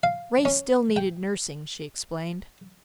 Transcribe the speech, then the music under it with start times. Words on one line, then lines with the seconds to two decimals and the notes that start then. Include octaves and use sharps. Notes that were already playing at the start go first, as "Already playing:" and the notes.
Ray still needed nursing, she explained.
0.03 F5
0.45 C#4
0.96 G5